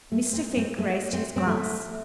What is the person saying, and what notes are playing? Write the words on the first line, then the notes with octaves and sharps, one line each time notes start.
Mr. Fink raised his glass.
A3
C4
C4
A3
C4
C4
A3